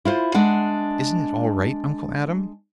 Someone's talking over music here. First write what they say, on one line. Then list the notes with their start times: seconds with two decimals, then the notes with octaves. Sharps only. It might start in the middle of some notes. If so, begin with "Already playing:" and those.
"Isn't it all right, Uncle Adam?"
0.05 E4 F4 C5
0.34 G#3 D4 F#5